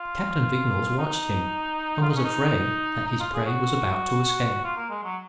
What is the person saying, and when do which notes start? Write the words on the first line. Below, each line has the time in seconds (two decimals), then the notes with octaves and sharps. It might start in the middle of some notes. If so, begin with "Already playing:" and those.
Captain Vignolles watched him, and was afraid that his prey was about to escape.
Already playing: F4
0.98 D#4
2.02 F4
2.10 D#4
2.16 C#4
2.24 D#4
3.07 D#4
3.20 F4
3.34 G#4
3.46 F#4
4.64 F4
4.76 A#3
4.90 G#3
5.03 F#3